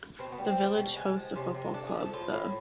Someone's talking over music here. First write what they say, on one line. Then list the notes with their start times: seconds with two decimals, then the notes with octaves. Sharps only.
The village hosts a football club, the.
0.19 B2 C4
0.32 B3
0.38 G3
0.45 C4
0.58 G3
0.77 B2
0.96 G#3
1.16 F3
1.35 C3 C#4
1.55 C3
1.74 A3 D4
1.87 G#4
1.94 F3
2.00 A4
2.13 A2 F4
2.32 A2